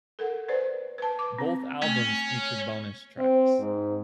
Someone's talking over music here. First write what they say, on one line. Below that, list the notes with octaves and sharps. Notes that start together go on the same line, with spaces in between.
Both albums featured bonus tracks.
A4 A#4 F#5
B4 C5 D5
B4 A5
D6
C4
A3 C#4
C4
G#2